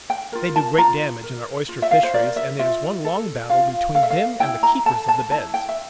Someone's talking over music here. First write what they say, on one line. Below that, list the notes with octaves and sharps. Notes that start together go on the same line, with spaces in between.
They do great damage in our oyster-fisheries, and it is one long battle between them and the keepers of the "beds."
G5
F4 A#4
A5
F4 A#5
A#4
F4
E5
F5
C5
A#4 D5
E5
F4 E5
A4
F4 F5
A4 F5
E5
F5
E4 G5
A#5
A4 A5
A5
E4 A5
G5
E5